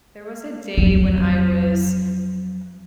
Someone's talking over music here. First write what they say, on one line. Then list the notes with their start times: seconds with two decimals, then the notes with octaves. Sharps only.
There was a day when I was
0.78 F2 F#3